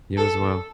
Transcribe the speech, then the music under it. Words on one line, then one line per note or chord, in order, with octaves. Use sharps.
You as well.
A4